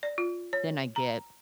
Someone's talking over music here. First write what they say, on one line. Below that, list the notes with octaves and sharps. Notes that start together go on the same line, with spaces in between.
then I get
D5
F4
C#5
A#5